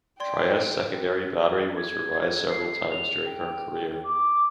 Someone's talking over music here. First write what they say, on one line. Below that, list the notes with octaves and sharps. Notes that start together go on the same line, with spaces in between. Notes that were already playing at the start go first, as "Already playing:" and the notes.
"Trieste"s secondary battery was revised several times during her career.
D5 G5 C6 G#6
G#6
C7
F7
G5
D6